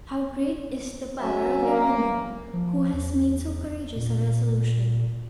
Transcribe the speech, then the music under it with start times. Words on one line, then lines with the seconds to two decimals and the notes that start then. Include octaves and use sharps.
How great is the power of a woman who has made so courageous a resolution!
1.19 F#3 C#4 E5
1.62 A#3
1.94 E3
2.53 F3
2.93 E2
3.96 A#2